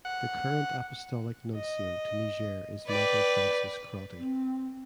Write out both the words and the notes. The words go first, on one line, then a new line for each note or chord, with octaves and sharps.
The current Apostolic Nuncio to Niger is Michael Francis Crotty.
F#5
D#5
B4 D5 G5
C4